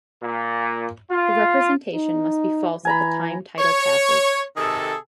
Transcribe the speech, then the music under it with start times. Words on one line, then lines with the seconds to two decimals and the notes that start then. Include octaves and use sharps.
The representation must be false at the time title passes.
0.23 A#2
1.11 F4
1.94 D#4
2.85 E3 G#5 A#5 B5
3.59 C#5
4.57 C3 D#3 G#4 A4